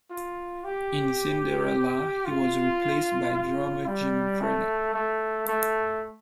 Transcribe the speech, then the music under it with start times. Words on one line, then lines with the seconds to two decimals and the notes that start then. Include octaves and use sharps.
In Cinderella, he was replaced by drummer Jim Drnec.
0.11 F4
0.64 G4
2.25 F4
3.33 F4
3.86 G3
4.41 A3
4.94 A3
5.48 A3